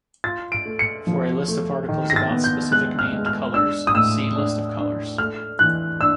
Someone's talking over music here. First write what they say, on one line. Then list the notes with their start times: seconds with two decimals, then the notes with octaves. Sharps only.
For a list of articles about specific named colors, see list of colors.
0.24 F4 A6
0.52 D7
0.65 A3
0.79 C#7
1.07 F3
1.48 A3
1.89 D#3
2.10 A#6
2.16 A6
2.30 B3
2.44 G6
2.71 G#3 F#6
2.99 F6
3.13 G#3
3.26 F6
3.54 D4 E6
3.87 D#6
3.95 A2 E6
4.36 D4
4.77 D4
5.18 A3 F6
5.59 E3 F#6
6.01 D4 E6